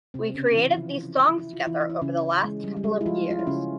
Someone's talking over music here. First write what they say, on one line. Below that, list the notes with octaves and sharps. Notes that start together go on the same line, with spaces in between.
We created these songs together over the last couple of years.
C3 C4
C#3 C#4
E3 E4
E4
F3 F4
E4
F4
E3 E4
E4
C#3 C#4
G#3
G3
G3
G#3
E4
F3 F4
F4
E4
C#3 C#4